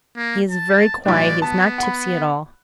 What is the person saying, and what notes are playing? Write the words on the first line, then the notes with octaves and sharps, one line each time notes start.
He is very quiet--he is not tipsy at all.
A#3
A5
B1 A2 D5
B3 A5
F#5 B5